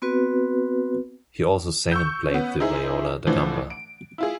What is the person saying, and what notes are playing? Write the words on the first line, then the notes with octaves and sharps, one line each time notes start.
He also sang and played the viola da gamba.
B3 C4 F#4 B4
C#6 E6 G6
B3 C#4
D#4 E4 G#4 C5
A2 D3 E3 F3
D7
E4 F4 G#4